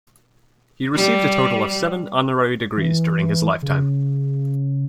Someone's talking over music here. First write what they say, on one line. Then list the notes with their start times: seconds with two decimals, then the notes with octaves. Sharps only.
He received a total of seven honorary degrees during his lifetime.
0.95 G3
2.77 E3
3.62 C#3